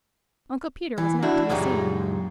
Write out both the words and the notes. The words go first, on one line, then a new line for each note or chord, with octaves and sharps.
Uncle Peter was not to be seen.
E3
D4 E4 F#4
C#2 F#2 A#2 G#3 D#4 G4